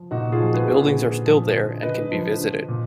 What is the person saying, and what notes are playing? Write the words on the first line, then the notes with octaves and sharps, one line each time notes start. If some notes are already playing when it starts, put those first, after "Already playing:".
The buildings are still there and can be visited.
Already playing: F3
A#2 D#4 F#4
F4 G#4
F3
G#4 B4
A#2
G#4 B4
D3
F3
D3
D3 B4 D#5
F3
D3
A#2